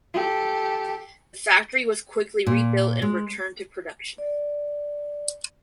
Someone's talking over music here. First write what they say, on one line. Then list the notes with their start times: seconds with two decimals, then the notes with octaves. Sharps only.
The factory was quickly rebuilt and returned to production.
0.13 G4 A4
2.46 A#2
3.02 G#3
4.18 D5